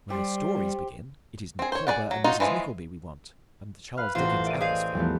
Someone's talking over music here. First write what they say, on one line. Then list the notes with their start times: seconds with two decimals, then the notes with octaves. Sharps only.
When the stories begin, it is Micawber and Mrs. Nickleby we want, and the Charles Dickens atmosphere.
0.10 G3 G4 C5
1.59 C4 G#4
1.72 C5 C#5
1.87 G#4 B4 D5 F#5
2.11 F#3
2.24 D#4 F4 F#4
2.40 E3 F3 G3 G#3
3.97 B4 F5 F6
4.15 A1 F4 F#4 C5
4.46 C5 D5 E5 D#7
4.60 C4 G#4 D#5 F5
4.95 E2 F3 G3 A3 B3